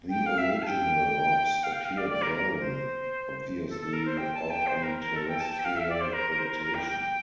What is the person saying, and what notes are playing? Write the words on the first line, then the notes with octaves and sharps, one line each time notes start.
The original rocks appeared barren, obviously without any terrestrial vegetation.
G5
F5
E5
F5
A5
G5
F5
G5
F5
D5
D5
A#4
A#4
C5
A4
A4
A#4
C5
G5
A5
G5
C5
A#4
A#4
A4
G5
A5
G5
F5
E5
D5
C5
A#4
A#4
C5
A#4
A#4
G5
G5
G5